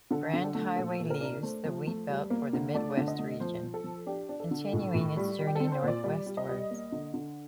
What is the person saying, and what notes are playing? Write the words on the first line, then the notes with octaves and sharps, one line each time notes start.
Brand Highway leaves the Wheatbelt for the Mid West region, continuing its journey north-westwards.
D3 A4
D3
A4
A3
A#2 A4
A#2
A#4
D4
A3 C5
F3
A3
G3
A#3
D3
A3 D5
D3
D#5
A3
F3 C5
F3
A4
F3
D4 G4
D4
A4
D3
A2
A2
G3
G3
G4
C4 A4
C5
A#2
D5
G3 D5
G3
D#5
G3
A#3
D3
D3